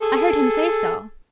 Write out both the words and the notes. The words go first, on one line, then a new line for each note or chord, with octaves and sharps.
I heard him say so.'
G#4 A4